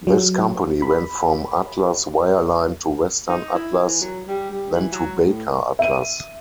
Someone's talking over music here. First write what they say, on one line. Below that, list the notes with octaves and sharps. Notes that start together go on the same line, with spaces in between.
This company went from Atlas Wireline to Western Atlas then to Baker Atlas.
F#3
B5
D#4
E4
E3
F#3
G3
G3
E3
F#3
A2
E5 D#7